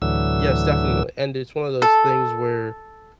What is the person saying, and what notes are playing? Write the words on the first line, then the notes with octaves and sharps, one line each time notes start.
Yes, definitely, and it's one of those things where,
D2 A2 D3 E3 F#3 E6
A4